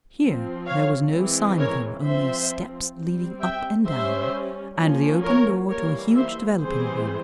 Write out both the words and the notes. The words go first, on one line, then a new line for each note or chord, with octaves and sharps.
Here there was no sign of him; only steps leading up and down and the open door to a huge developing room.
F3 C4
C#5 F5
E3 G#3 C4
A#4 C#5
F3 C4 C5 E5
G3 C4
E5 G5
G3 C#4 C5 E5
F3 A#3 C#4
A#4 C#5
E3 G3 A#3 A#4 C#5
C5 E5
E3 G3 C4 G#4 C5